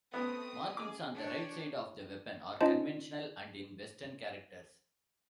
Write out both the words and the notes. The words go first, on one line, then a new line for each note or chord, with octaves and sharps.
Markings on the right side of the weapon are conventional and in western characters.
A3 B3 C4 D#6
G#4 D6
D4 G4 C#5
C#4 D#4 F4 C5 D#5 A5